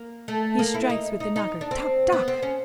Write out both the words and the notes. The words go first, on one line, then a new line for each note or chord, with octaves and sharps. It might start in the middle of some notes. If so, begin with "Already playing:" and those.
He strikes with the knocker: 'Toc! toc!'
Already playing: A#3
A3
A#3
E4
D#4
D#4
D#4
D4
C4
B3
C4
C#4